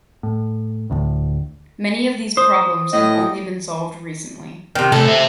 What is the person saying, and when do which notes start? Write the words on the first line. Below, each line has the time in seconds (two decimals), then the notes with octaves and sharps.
Many of these problems have only been solved recently.
0.23 A2
0.90 D1 D2 A2
2.37 C5 D#6
2.93 A2 D#5
4.75 C3 D#3
4.92 C3 A3 A4
5.08 C5 E5